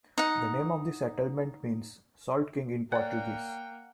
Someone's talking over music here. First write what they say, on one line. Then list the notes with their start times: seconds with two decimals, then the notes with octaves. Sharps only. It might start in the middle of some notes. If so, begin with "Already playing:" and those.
The name of the settlement means "Salt King" in Portuguese.
0.18 D#4 F#5
2.92 A#3 C#5 D5 F#5 G5